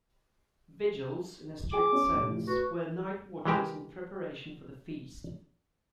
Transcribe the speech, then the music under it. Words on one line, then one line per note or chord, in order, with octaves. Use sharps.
Vigils, in a strict sense, were night-watches in preparation for the feast.
G#4 G#5 D6
C#4
C2 A2
F#4 B4
E3 G#3 G4 A#4